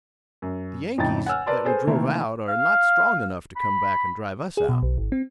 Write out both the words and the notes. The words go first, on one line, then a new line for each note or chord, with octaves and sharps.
The Yankees that we drove out are not strong enough to come back and drive us out.
F#2
F2 A2 C#3 D#4 G5 A6
F#5 G#5 E6 F6
A#4 B4 D5 A5 C6
G#4 A4 B4 C5 G#5
C3 D#3 E3 A3 A#3
F5
B5
G#4
B2
B1
G#1
C4